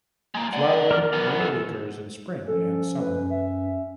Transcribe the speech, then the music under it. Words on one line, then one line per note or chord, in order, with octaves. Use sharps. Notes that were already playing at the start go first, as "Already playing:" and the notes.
Flowering mainly occurs in spring and summer.
G#3 A#3
D5 F#5
A#4 D6 F6
F#2 B3
A4
F3 C#4 A4
F#2 C#4 B4
E5